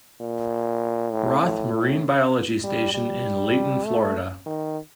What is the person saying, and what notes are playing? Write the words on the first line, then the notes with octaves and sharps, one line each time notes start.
Roth Marine Biology Station in Layton, Florida.
A#2
A2
A2
A2
G3
G3
A3
D#3